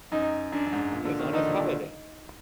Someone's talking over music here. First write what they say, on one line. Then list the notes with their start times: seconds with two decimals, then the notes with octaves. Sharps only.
He is on his holiday.
0.12 F#2 D#4
0.52 F#2 D4
0.66 F#2
0.72 G#2
0.92 A#2
1.05 D3
1.19 D#3
1.33 D3 D#4
1.46 A#2
1.60 D3